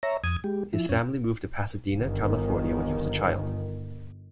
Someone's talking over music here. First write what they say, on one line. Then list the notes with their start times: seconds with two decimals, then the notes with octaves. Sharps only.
His family moved to Pasadena, California when he was a child.
0.03 C#5 E5 A#5
0.24 F2 D#6 G#6
0.44 G#3 G4
0.73 F3 E4
0.89 F#2 C#4
1.97 G1 D#3